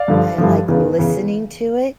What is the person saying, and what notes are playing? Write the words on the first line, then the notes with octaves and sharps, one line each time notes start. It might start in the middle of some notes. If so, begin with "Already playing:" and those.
I like listening to it-
Already playing: D5 F5
G2 D3 F3
G2 D3 F3
E2 C#3 E3
E2 C#3 E3